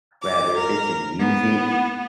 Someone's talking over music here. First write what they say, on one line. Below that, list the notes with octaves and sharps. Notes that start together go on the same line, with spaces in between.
Rather if it's in music
D6
A#4
B3